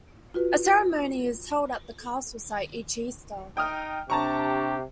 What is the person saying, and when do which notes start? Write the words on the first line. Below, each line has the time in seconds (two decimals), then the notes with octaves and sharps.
A ceremony is held at the castle site each Easter.
0.34 F4 F#4 B4
3.57 D#4 G5 D#6 F6
4.10 C3 D4 G4 A5 A#5 C#6